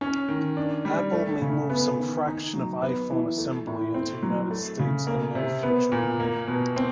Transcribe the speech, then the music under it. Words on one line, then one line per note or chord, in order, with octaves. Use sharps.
Apple may move some fraction of iPhone assembly into United States in near future.
C#4
D#3
D4
G3
A3
C#3
B3
D#3
D#4
F#3
B3
E3
A3
A2
C4
F#3
A3
C#3
A#3
C3
B3
A#2
A#3
B2
C4